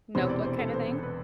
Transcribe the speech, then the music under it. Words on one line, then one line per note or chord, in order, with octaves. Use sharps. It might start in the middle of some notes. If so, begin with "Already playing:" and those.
notebook kinda thing?
E1 E2 C3 E3 C5
D5
C5
A4
B4
C5
B4